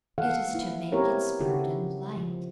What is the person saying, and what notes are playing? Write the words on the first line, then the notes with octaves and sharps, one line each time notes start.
It is to make its burden light.
E3 A4 F5 F#5
A#3 E4
B3 C4 E4 G4 A#4 C#5
C#3 E4 F#4 G4 A4
F3